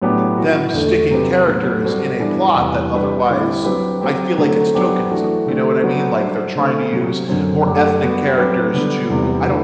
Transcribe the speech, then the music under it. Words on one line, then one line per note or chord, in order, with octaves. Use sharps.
them sticking characters in a plot that otherwise I feel like it's tokenism. You know what I mean? Like, they're trying to use more ethnic characters to I don't
A2 F#3 B3 D4 G4
E3 B3 F#4
E2 D3 A3
C3 F#3 C4 G4 B4
A2 F#3 B3
G3 C4 F#4 A4 C5
G2 E3 G3 B3 D4
E2 C3 E3 G3
G3 D4 G4 B4
D3 G3 C4 E4 G4
F#3 C4 G4 B4
F#3 C4 G4
D3 F#3 A3 C4
F#3 B3 D4 G4 C5
E3 A3 D4 F#4
D3 A3 C4
F#3 B3 D4 F#4 A4
G3 D4 F#4 C5
D3 A3 C4
C3 F#3 C4 F#4
F#2 D3 F#3 C4
F#2 D3 A3 D4 G4
G3 B3 F#4
F#3 C4 G4 B4
D3 G3 B3
E2 C3 G3 B3
D3 A3 E4 B4